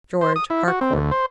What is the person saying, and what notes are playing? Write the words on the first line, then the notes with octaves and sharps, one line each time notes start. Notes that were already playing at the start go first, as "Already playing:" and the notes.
George Harcourt.
C5
D#6
E4
F#4
C4
D2
C5